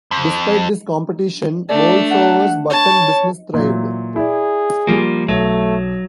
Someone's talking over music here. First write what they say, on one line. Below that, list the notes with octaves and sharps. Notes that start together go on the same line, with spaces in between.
Despite this competition, Boulsover's button business thrived.
F2
A3 D4 D5
F#5
C#5 A5
A#2 E3 F#3
E4 G#4 D5
F3 G3 A#3 F4
B1 F#3 A3